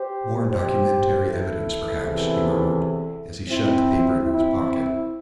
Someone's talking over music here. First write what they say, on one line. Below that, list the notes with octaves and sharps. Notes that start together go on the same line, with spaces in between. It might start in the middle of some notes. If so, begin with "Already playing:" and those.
"More documentary evidence, perhaps," he murmured, as he shoved the paper into his pocket.
Already playing: G4 C5
G4 C5
E4 A4
E2 C3 E3
C4 E4
C4 E4